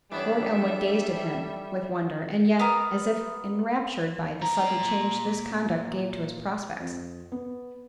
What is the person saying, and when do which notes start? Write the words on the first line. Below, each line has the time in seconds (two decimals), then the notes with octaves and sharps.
Lord Elmwood gazed at him with wonder! and yet, as if enraptured by the sudden change this conduct gave to his prospects.
0.12 E3 G3 B3 C#4 D4 A4 E5
2.59 B3 A#4
4.41 A#2 A#5
6.80 F2
7.32 B3